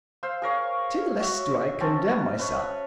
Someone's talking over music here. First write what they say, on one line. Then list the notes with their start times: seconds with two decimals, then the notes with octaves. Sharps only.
Still less do I condemn myself.
0.23 C5 F5 E6
0.42 G#4 A#4 C#5 F5
1.20 F#4 C#5 E5
1.81 C4 C#4 A5
2.39 B4 C#5